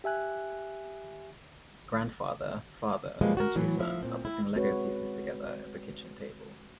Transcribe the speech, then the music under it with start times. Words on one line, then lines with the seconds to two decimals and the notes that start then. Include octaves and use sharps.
A grandfather, father, and two sons are putting Lego pieces together at the kitchen table.
0.04 G4 E5 G#5 F#6
3.21 F2 B2 F3 G3 G#3 A#3
3.37 F#4 A#4
3.55 A2 E3 F#3 B3
3.79 F3 E5
4.03 A#2 C4
4.25 E4
4.55 G#3 C4 F#4 G#4 B4 C#5